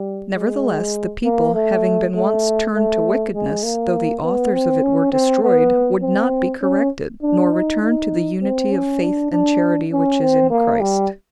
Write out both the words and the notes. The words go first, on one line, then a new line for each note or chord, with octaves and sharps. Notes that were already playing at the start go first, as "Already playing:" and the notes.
Nevertheless, the people, having been once turned to wickedness, though the authors of it were destroyed, would not be corrected, nor return to the unity of faith and charity which is in Christ.
Already playing: G3
G#3
A#3
A3
A3
A3
G#3
A#3
B3
C4
C#4
C4
B3
C4
C#4
D4
D#4
D#4
C4
C#4
D4
D4
C#4
C4
A#3
G3